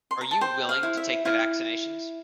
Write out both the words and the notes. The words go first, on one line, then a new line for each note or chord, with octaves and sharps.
Are you willing to take the vaccinations?
C6
A#5
A5
C5 G5
F5
E4
E5
E4 F5